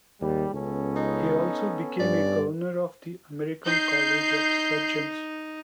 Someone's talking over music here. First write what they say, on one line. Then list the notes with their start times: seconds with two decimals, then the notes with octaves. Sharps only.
He also became a governor of the American College of Surgeons.
0.21 D#2 G#2 G3
0.54 C#2 B3 C#4 A4
0.96 D#4
2.00 G2 D5
3.65 D#4 G6 C7